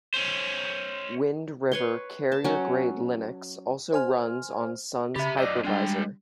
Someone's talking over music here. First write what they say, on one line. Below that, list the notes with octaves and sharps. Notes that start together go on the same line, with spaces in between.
Wind River "Carrier Grade Linux" also runs on Sun's Hypervisor.
C#4 C5
B4 C#5 C6
A5
F#3 C#4
C5 G#5 F6
C#3 G4 E5 B5 A6
F#2 D5 D#5 D6 E6
G3 G#3 D4 G5